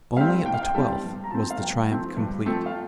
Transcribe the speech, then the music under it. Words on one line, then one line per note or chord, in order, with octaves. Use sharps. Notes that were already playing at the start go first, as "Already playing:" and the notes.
Only at the twelfth was the triumph complete.
G3 C4 F5
A2 G5
F5
G5
G3 C4 A5
G2
A#5
F3 A3 C4 A5
F5
G2 G5
F3 A3 C4
G2
F3 A3 C4
F5